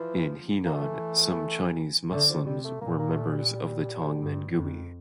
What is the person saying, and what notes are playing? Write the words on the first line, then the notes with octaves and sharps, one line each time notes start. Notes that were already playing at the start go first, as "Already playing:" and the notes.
In Henan, some Chinese Muslims were members of the Tongmenghui.
Already playing: E3 F3
A#3
E3 A3
D3 A3
F3
C3 G3
A3
A#2 A#3
A#3
A3
G3
G2
F2